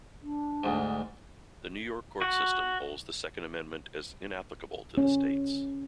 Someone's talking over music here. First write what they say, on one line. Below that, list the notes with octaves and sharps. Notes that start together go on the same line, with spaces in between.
The New York Court System holds the Second Amendment as inapplicable to the states.
D4
D2 G#2
F#4
C#4